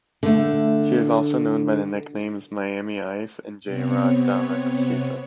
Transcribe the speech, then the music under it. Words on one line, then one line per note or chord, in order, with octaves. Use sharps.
She is also known by the nicknames Miami Ice and J-Rod "dame cucita".
D3 A3
C3 B3 C4 C#5